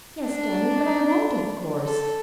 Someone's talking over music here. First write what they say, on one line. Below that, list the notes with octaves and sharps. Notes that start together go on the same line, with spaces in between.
"Yes, daddy; but I won't, of course."
D4
A4